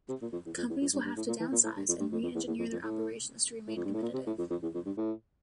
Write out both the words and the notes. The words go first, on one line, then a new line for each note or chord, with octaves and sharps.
Companies will have to downsize and re-engineer their operations to remain competitive.
C3
A#2
F2
E2
F2
E2
F2
G2
G2
A2
A#2
E3
A#2
A2
G2
F2
G2
F2
F2
E2
E2
F2
F2
A2
A2
F2
G2
A2
A#2
C3
A2
F2
F2
E2
F2
G2
A2